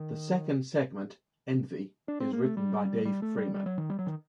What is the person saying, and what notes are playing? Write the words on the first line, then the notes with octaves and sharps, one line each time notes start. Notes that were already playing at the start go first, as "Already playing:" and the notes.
The second segment, "Envy", is written by Dave Freeman.
Already playing: D#3
D4
C4
A#3
A3
G3
G3
A3
G3
G3
F#3
D#3
G3
F#3
D#3